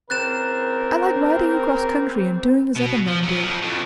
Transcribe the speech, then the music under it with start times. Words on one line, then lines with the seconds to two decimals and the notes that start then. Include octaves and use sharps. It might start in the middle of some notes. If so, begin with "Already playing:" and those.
I like riding across country, and doing as other men do.
0.10 C#3 E3 C4 A#4 F#6 A6 E7
2.76 B2
3.08 F3
3.23 F#3 B3
3.42 F2 F3
3.62 F2 A2